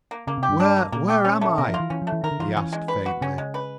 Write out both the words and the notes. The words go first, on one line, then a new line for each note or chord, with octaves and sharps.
"Where--where am I?" he asked faintly.
A#3
C#3 A#3
C3
G4
G2
D4
A#3
A#2 A#3
G4
C#4
A3
B2 A#4
F3 F4
E3
E3 C#4
F3
A3
E3
D#3 A#4
D3
E3 F4
F3
E3 C#4
G#3
B4
F#4
C#3 C#4
G#3
B4